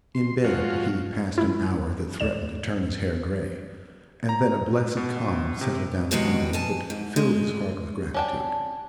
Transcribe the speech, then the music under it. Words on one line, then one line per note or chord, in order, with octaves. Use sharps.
In bed he passed an hour that threatened to turn his hair gray, and then a blessed calm settled down upon him that filled his heart with gratitude.
C6
G#2 F3 F4 F#4 C#5
G#3 E4
D2 D5 E7
A#5
B2
C3
E2 B2 D#3 G#3 F#4 G4
B2 G#5 A5
G#2
G#3
C#4 D4 G5